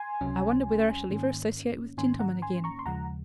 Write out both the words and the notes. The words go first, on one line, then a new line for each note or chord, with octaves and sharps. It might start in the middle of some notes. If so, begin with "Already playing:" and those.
I wonder whether I shall ever associate with gentlemen again?
Already playing: G#5 C6
C#2 C3 F#3 C#4
G#2 D#3 A#3 C#4
G#2 D#3 A#3 C#4 G#5 C6
F#5 A#5
G#5 C6
A#5 C#6
C6
D#2 C#3 F3 G#3 F#5 A#5